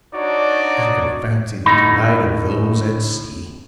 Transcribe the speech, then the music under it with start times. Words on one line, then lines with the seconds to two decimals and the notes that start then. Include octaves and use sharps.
I can fancy the delight of those at sea.
0.14 D4 D#4 F#4 C#5 D5
1.66 D2 A2 A3 D#4 B5